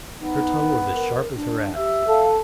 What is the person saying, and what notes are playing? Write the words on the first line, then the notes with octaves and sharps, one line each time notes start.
Her tongue was as sharp as her axe.
B3 D#4
A#4
D4
G4 E5
A4 F5